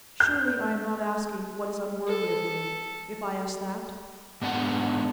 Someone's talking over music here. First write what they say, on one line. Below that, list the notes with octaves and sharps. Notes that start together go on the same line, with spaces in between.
"Surely I am not asking what is unworthy of you, if I ask that?"
G6
A4
G#2 B3 D4 F#5